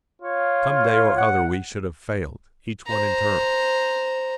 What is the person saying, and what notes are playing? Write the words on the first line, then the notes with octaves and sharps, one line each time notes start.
Some day or other we should have failed, each one in turn.
F4 C#5
F#5
C5 A#5